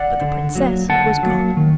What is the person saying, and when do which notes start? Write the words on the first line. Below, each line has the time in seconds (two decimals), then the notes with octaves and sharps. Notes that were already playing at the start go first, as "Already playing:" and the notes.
But the princess was gone.
Already playing: D5 F#5
0.21 D3
0.55 F#3 A#3
0.89 D3 F#5 A5
1.23 F#3 A#3
1.57 D#3